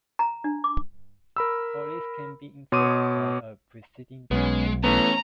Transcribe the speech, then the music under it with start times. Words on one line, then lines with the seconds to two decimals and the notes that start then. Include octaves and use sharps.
All these can be enforced by a preceding "doch".
0.19 A#5
0.44 D4
0.64 D6
1.36 A#4 B5 E6
2.72 B2 C#5 C6 D6 D#6 D#7
4.31 B1 G#3 B3 C#4
4.84 E3 A3 B3 C#4 A#5